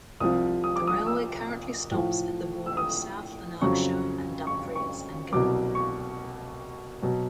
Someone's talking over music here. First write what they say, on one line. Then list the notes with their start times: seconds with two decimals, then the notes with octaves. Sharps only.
The railway currently stops at the border of South Lanarkshire and Dumfries and Galloway.
0.20 C2 C3 F3 D#6
0.64 D#6
0.76 D6
0.87 D#6
1.06 E6
1.91 A2 F3
2.66 E6
2.77 D#6
3.61 F2 C#3 F#3 C#6
4.47 C#6
4.75 C#6
5.32 C2 B2 F#3 D6
5.75 C#6
7.02 B2 F#3